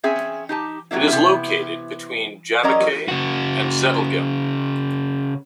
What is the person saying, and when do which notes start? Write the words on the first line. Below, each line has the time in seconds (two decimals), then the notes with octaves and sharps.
It is located between Jabbeke and Zedelgem.
0.04 C4 C#4 G#4 E5 G#5
0.49 D#4 G4 A5
0.91 C3 E3 F#3 A#3 E4
1.08 C3 B3 E4
2.63 F#3 C#4 A#4 D5 D#5 A#5
3.08 C#3 F#4